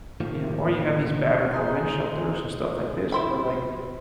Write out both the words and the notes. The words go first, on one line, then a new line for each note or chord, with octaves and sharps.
you know, or you have these battered women's shelters and stuff like this to where, like,
A2 D#3 F3 A#3
G#3 D#4 C6
E4 C5 B5